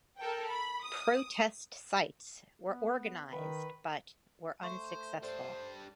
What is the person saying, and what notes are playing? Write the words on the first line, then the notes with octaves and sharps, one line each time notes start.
Protest sites were organized but were unsuccessful.
A4 A#4 G5
B5
D#6
B3
D#3 B4
A3 C5 E5 C#6
G3 D4 A4 C5 D5